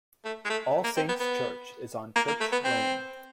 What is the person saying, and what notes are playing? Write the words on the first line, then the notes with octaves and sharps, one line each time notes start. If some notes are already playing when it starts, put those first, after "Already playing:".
All Saints church is on Church Lane.
A3
G#3
A3
A#3
C4
B3
B3
A#3
A#3
A3
B3
C4